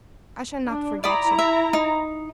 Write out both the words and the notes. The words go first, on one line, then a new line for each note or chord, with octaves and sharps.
I shall not forget you.
D4
E4 D5 A#5 B5 D#6
E5
D#4